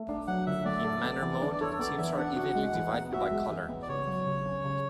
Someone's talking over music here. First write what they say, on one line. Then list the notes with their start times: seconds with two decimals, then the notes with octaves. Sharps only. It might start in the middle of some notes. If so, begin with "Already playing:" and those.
In Manner mode, teams are evenly divided by color.
Already playing: A3
0.09 D4
0.27 F#3 F#5
0.47 D3 E5
0.65 A3 D5
0.84 A4
1.03 B3
1.23 E3
1.42 D4
1.53 D5
1.61 A4 C#5
1.79 B3 D5
1.98 E3 E5
2.17 D4 F#5
2.36 F#4
2.55 G#3
2.74 E3
2.94 B3
3.12 F#4 E5
3.31 G#3
3.50 E3
3.69 B3
3.82 D5
3.89 C#3 C#5
4.07 F#3
4.26 C#3
4.46 C#4
4.65 C#3